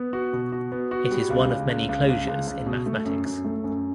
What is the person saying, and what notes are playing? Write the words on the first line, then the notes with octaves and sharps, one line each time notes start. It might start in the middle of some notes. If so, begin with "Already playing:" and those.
It is one of many closures in mathematics.
Already playing: B3
F#4
B2
F#4
B3
F#4
G3
C#2
C#2
C#2
C#2
C#2
C#2
C#2
B2
A3
F#2
F#2
A3
F#2